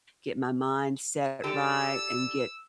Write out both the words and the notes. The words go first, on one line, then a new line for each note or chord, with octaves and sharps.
get my mind set right and get,
D3 G4 A4 E6